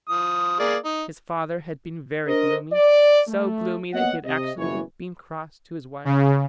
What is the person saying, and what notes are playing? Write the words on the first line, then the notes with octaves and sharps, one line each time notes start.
His father had been very gloomy--so gloomy that he had actually been cross to his wife.
F3 D#6
A#3 G#4 D5
D#4
D4 A#4 C5 D#5
D5
A3
A#3 B3 C#5 D#5 F#5
C3 D#5
F#1 B2 E3 C#5
C#3